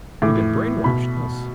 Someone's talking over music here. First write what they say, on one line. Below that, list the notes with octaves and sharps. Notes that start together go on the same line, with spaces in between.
I mean you've been brainwashed, yes.
A2 E3 D6
B2 B5